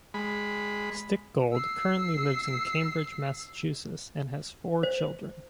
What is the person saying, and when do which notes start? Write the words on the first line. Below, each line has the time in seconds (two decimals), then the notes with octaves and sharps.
Stickgold currently lives in Cambridge, Massachusetts and has four children.
0.14 G#3 B5
1.53 E6 C7
4.83 C5